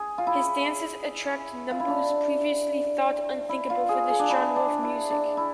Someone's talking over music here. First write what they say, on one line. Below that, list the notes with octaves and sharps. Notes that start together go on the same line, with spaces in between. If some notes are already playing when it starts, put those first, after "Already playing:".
His dances attract numbers previously thought unthinkable for this genre of music.
Already playing: G#4
F4
E4
F4
E4
D4
E4
F4
G#4
G#4
D4
E4
D4
E4
D4
E4